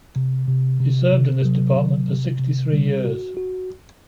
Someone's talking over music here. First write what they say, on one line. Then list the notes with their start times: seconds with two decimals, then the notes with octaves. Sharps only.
He served in this department sixty-three years.
0.16 C3
0.48 C3
0.80 C3
1.13 C3
1.45 F#3
1.76 C3
2.08 C3
2.40 C3
2.73 G3
3.05 F#4
3.37 F#4